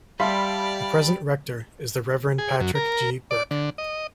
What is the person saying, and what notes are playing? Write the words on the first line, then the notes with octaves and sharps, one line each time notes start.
The present rector is the Reverend Patrick G. Burke.
G3 G4 D5 E5 F5 A5 B5 C6
G#4
F#2
A#4
D5
D3
D#5